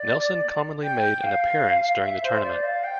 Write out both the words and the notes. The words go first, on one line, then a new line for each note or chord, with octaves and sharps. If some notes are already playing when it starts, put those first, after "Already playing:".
Nelson commonly made an appearance during the tournament.
Already playing: D5
G5
F5
E5
C5
D5
F5
G5